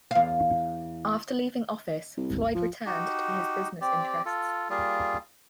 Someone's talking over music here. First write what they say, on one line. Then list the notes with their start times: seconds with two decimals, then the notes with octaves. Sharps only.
After leaving office Floyd returned to his business interests.
0.11 E2 F5
2.17 C2
2.30 G#1 D2
2.55 F3
2.86 D#4 F#4 G4
3.81 C4 G4 D5
4.25 F4 A4
4.70 G3 A#3 F4 G#4